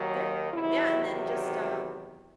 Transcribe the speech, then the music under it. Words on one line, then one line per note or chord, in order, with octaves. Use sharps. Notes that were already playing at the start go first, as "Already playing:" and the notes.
Yeah. Yeah, and then just, uh,
Already playing: D#2 D#3 F#3
E2 C3 D#3 F#3 E4